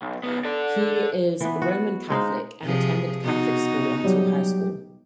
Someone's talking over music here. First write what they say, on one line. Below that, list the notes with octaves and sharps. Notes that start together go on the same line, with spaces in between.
He is Roman Catholic and attended Catholic schools until high school.
B1
C#2 B3
A4 D5
E3 B3
F#4
G#3 D#4 C5 F5
C3 F3 G#4
B2 D#4 F#4
F#3 G3 G4